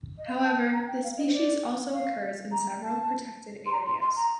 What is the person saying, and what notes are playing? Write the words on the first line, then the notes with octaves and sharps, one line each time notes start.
However, the species also occurs in several protected areas.
D#5
F5
G5
A5
A#5
G5
F5
D#5
C5
D5
F5
A#5
A5
C6
A#5
C6
C6
A#5